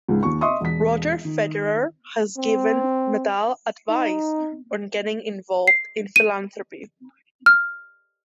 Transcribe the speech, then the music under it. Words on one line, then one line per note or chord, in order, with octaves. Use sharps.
Roger Federer has given Nadal advice on getting involved in philanthropy.
C#2 G#2
D#2 C#6
D#5 E5 C6 C#6 D#6
E1 B6
D#3
C4
D#4
C7
D#7
F6